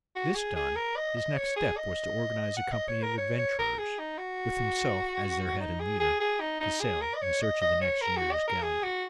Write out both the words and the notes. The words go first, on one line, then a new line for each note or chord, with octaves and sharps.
This done, his next step was to organise a company of adventurers, with himself as their head and leader, to sail in search of the next year's galleon.
F#4
G#4
G#4
A#4
D#5
D#5
C#5
G#4
D#5
F#5
D#5
C#5
A#4
C#5
C#5
A#4
G#4
D#4
F#4
D#4
G#4
G#4
G#4
D#4
D#4
G#4
A#4
D#5
C#5
D#5
D#5
C#5
A#4
F#4
D#5
A#4
G#4
F#4